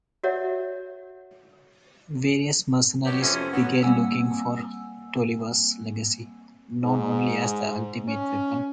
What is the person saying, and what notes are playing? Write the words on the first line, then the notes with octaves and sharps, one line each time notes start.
Various mercenaries began looking for Tolliver's legacy, known only as the ultimate weapon.
F#4 A#4 C#5 D5 E5 F#5
B2 F#3 G4
F2 C3 A3 C#4
F#3 B3
G3 A#3 C4 F#5 G#5 E6
G#2
C#4